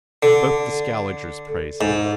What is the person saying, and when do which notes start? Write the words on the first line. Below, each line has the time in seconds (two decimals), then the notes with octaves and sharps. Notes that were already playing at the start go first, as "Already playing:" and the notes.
Both the Scaligers praise him.'
0.23 D3
1.81 G#2